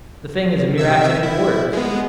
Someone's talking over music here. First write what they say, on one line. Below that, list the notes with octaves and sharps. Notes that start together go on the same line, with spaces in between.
The thing is a mere accident of words.
C3 E5 E6
E4
G#3 B3